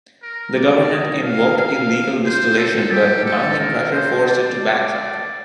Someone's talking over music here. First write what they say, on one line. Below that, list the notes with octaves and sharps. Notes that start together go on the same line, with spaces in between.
The government invoked illegal distillation, but mounting pressure forced it to backtrack.
A#4
D5
D#5
F5
F5
C5
A4
G4
A4
A#4
C5
D5